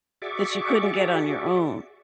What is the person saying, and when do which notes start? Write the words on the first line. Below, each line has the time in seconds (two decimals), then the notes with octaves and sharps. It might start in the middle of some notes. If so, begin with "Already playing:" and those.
that you couldn't get on your own.
0.22 F#4 G#4 D5 E5 C#6 D6